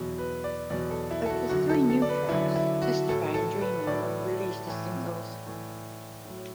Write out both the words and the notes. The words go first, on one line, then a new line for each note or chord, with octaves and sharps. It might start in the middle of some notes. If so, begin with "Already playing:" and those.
Of the three new tracks, "Testify" and "Dreaming" were released as singles.
Already playing: E2 B2 F#3
B4
D5
E2 B2 F#3 D5
A4
E4
A4
F#4
F#2 D3 F#3 F#4
A4
A4
D5
B4
F#2 D3 F#3 E4
E4
F#4
A2 F#3 A4
A4
B4
A2 F#3 D5
A2 E3
A2 E3
A2 F#3